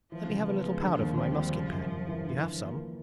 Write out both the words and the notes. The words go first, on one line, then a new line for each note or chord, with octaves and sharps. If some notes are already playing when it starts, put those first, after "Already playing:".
Let me have a little powder for my musket-pan--you have some?
E3 F3
C#3
B3
G#3
D3
D#2
C4
G3
C#3
F#2
F#2
E3
D3
F#2
A#3
F3